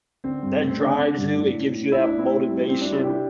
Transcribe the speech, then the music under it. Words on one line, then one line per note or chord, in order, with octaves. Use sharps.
that drives you, it gives you that motivation.
D3 C4
G2
A3
C4
D3 D4
D3
G2
A2
A2
A2
A2 E4
A2 D4
C4 E4
A2
G3
G3 C4
G3 D4
E4
C3 D4 G4